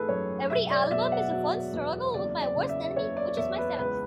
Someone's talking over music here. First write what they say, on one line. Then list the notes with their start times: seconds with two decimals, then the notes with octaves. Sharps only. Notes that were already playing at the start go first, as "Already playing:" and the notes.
Every album is a fun struggle with my worst enemy; which is myself.
Already playing: G#1 E3 A3 G#4 A4 B4
0.09 F#2 C#5
0.50 E1 E5
0.70 D5
0.91 B2 E5
1.12 F#5
1.32 F#3
1.73 E2
2.14 F#1 D5
2.42 D5
2.56 C#3
2.69 E5
2.96 F#1 C#5
3.17 D5
3.37 E2 E5
3.58 B4
3.78 C#2 B4